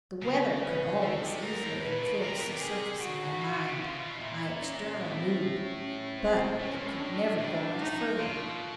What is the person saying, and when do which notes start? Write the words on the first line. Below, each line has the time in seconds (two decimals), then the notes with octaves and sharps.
The weather could always easily influence the surface of my mind, my external mood, but it could never go much further.
0.22 C#3 A#4
0.62 B4
1.02 C#3 A4
1.22 C3
1.41 G#2 A#4
1.62 A2
1.81 A#2 B4
2.02 B2
2.21 C#3 A#4
2.31 C3
2.42 B2
2.51 C3
2.61 G#4
3.01 C#3 F#4
3.28 A2
3.41 A#2
3.54 B2
3.67 C3
3.80 C#3 F4
4.00 B2
4.20 A#2 E4
4.60 C#4
5.00 A2 C4
5.39 C#4
5.79 C#4
6.19 C4
6.60 A2 C#4
6.73 A#2
6.86 A2
6.99 D4
7.39 A2
7.79 D#4
8.18 B2 F4